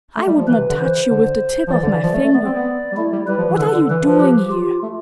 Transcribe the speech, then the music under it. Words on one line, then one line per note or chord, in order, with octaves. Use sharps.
I would not touch you with the tip of my finger. What are you doing here?
A3
G3
F3
E3 B4
C3
D3
E3 C5
D3
F3
E3 D5
D3
E3
F3
A3
A3
B3 D5
C4
B3
G3
A3 E4
G3
G3 B4
F3
E3
D3 A4
D3
E3 B4
F3
G4
F4
A3